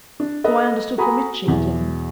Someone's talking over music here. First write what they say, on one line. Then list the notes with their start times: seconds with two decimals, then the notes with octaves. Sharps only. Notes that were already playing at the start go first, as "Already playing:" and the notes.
"So I understood from Mitchington."
0.20 D4
0.44 A4 B4 D#5
0.98 F#4 A4 G#5 A#5 B5 D#6
1.45 E2 B2 F#3